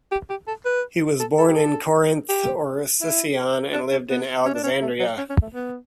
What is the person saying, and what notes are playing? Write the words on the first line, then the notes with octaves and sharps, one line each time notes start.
He was born in Corinth or Sicyon, and lived in Alexandria.
G4
G4
A4
B4
A4
A4
G4
A4
G4
E4
D4
C#4
B3
C#4
D4
C#4
A3
F#3
C#4
C#4
A3
B3